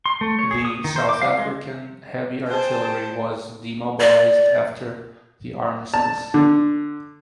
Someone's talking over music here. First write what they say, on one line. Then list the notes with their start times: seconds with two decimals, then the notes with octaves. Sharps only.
The South African Heavy Artillery was demobilised after the Armistice.
0.06 C6
0.21 A3
0.39 C#5
0.51 G#4
0.65 D#6
0.84 D#3
0.96 C5
1.09 D6
1.22 F5
1.38 G#3
2.48 G#4 C5 G5 A5
4.00 D5
5.94 A5
6.34 D3